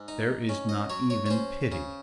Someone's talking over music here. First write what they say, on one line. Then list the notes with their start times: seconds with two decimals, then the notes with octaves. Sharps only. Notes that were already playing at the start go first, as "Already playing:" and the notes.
There is not even pity.
Already playing: G#2
0.08 D#4
0.49 C#4
0.69 D#5
0.90 F#3 C#5
1.10 C#5
1.26 C#5
1.30 C#4 C5
1.72 C#3